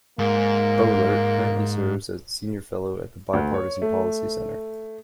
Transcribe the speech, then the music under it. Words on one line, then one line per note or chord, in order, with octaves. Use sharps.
Boehlert currently serves as a Senior Fellow at the Bipartisan Policy Center.
G#2 A#3
D2
C#5
A3